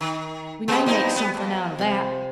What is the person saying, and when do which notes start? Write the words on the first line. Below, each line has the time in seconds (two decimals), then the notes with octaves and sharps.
We may make something out of that.
0.01 D#3
0.68 G#3 B3 C4 G4
0.86 F2 G3 D#4 E4
1.16 B3
1.35 F2
1.79 C3 C6